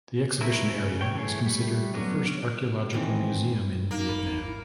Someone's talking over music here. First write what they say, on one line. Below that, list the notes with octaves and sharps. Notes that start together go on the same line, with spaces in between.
The exhibition area is considered the first archaeological museum in Vietnam.
A3 E4 A#4 B4 E5
C#3
C#5 G5
E3 A3 G#4 C#5
G3 A3
D3 F#3 B3 C#4 F#4
D#3 E3 C4
A#3 D#4 A#5
G#1 B5 C#7
E4